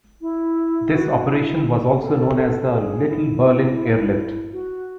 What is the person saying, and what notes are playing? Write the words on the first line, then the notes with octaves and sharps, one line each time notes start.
This operation was also known as the "Little Berlin Airlift".
E4
F#4
E4
A4
A4
G#4
E4
F#4